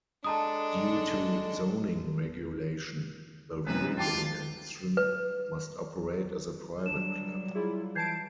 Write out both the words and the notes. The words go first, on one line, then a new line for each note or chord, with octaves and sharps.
Due to zoning regulation, The Wrigley Mansion must operate as a private club.
G#3 D4 A4 A5 A#5 D#6
F#2 C3 E3 F3 G#3 B3 B4
D#3 F#3 F4 G5 A5 D6
B4
F#3 G3 D4 E7
E4 F4 G#4
E3 A5 G6 G#6 C7 D7